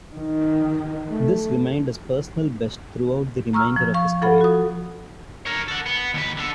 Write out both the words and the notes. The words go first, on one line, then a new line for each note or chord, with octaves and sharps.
This remained his personal best throughout the remainder of his career.
D#3
A3
A#5 C#6 E6 F6
F3
F5 C#6
F3 F4 A4 F#5 B5
F#4 D#6
A#4 C#5
A4 F#5
B3
D#2 B4
D3 A4